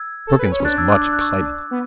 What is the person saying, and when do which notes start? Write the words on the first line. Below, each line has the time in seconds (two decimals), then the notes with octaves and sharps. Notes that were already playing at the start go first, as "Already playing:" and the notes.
Perkins was much excited.
Already playing: E6 G#6
0.27 A4
0.39 B4
0.52 C#5
0.60 C#4
0.65 D4 F#6 A6
0.77 E6 G#6
0.90 D6 F#6
1.03 E6
1.13 F#6
1.21 C#6 E6
1.71 B3